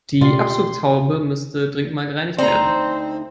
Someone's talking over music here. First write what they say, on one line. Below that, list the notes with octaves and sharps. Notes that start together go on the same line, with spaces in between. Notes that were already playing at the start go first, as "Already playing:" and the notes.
Die Abzugshaube müsste dringend mal gereinigt werden.
B2 F4 G4 D5 F5 C6
D2 C4 D#4 C5 D5 A#5